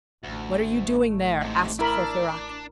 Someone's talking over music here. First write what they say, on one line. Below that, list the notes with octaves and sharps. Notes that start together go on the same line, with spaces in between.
"What are you doing there?" asked Courfeyrac.
A1 D2 A3
G#2 C3
D4 E4 A#4 B5